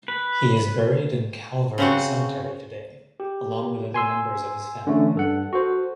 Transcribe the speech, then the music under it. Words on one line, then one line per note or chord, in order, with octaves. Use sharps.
He is buried in Calvary Cemetery today, along with other members of his family.
B4
C#3 C4 F#4
G4
G#5 C6 E6
D3 E3 A3 C#4
G2 A4 F#5
F#4 A4 C5